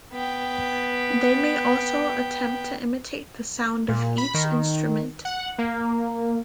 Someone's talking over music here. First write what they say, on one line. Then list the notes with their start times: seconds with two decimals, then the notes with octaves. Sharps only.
They may also attempt to imitate the sound of each instrument.
0.13 B3 G5
3.88 A#2
4.18 B5
4.34 D#3
5.25 F#5
5.58 A#3